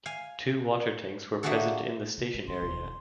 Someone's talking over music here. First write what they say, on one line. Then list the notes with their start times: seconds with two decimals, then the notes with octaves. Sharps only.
Two water tanks were present in the station area.
0.06 F5 G#5
1.43 A3 A#3 D4 F#4 G#4 A4
2.17 C#3
2.34 G#3
2.48 D3 C6
2.62 E1 D#2